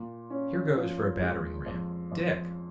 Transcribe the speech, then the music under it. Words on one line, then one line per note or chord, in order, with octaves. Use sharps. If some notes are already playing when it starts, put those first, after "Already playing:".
Here goes for a battering-ram, Dick!'
Already playing: A#2
C#4
F3
G#3
F2
F2